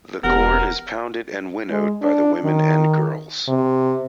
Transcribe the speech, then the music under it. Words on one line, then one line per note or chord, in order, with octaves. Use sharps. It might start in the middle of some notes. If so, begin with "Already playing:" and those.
The corn is pounded and winnowed by the women and girls.
E1 B3 G4 A#4 F#5
G#3
D4
D#3
C3